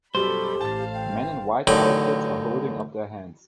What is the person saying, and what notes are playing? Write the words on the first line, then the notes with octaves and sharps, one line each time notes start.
Men in white outfits are holding up their hands.
F#2 B2 G3 G4 A4 C5 B5
A1 F5 A5 A6
G5
A1 D3 D#3 F#3 D6